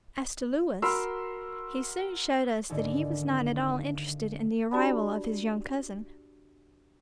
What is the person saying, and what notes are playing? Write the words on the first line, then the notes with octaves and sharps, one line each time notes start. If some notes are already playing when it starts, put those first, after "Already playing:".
As to Louis, he soon showed us that he was not at all interested in the arrival of his young cousin.
F#4 A#4 B5 C6 E6 F6
D#2 G#2 D3
D4 F#4 G4 D5 A5 B5